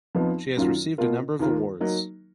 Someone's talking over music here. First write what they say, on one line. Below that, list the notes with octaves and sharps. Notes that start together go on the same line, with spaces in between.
She has received a number of awards.
F2 F3 B3 D#4
F#2 D#3 F#3 C#4 F4
B2 A#3 F4 A#4
D#2 D#3 A#3 F4 A#4
F#3 A#3 D#4